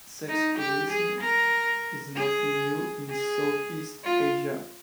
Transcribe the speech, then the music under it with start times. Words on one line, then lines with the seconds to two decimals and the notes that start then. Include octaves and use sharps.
Sex tourism is nothing new in Southeast Asia.
0.28 D#4
0.59 G4
0.90 G#4
1.21 A#4
2.16 G#4
3.09 G#4
4.04 F4